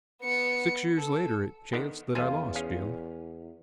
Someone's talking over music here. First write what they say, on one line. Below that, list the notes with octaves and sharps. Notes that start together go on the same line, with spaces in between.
Six years later it chanced that I lost Jim.
B3 C#7
A4
D3 D#3 B3
B1 E2 A3 F4 G#5
C#4 G#4 F5